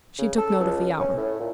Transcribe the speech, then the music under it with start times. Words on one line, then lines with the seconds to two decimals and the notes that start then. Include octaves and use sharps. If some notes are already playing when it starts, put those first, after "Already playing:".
She took note of the hour.
0.19 C#3
0.38 A4
0.60 C#2
1.00 C#4
1.17 A2
1.39 A#2